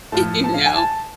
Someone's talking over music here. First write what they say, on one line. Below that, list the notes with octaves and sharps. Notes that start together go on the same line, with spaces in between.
you know,
A2 F3 A3 A5
A5
F5
G#5
A5